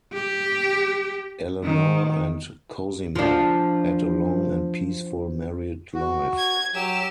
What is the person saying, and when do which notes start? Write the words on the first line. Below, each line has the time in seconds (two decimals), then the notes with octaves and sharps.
Eleanor and Cosimo had a long and peaceful married life.
0.13 G4
1.64 D#3
3.16 F3 D4
5.94 F#4
6.38 G#6
6.74 F#3 G4 E6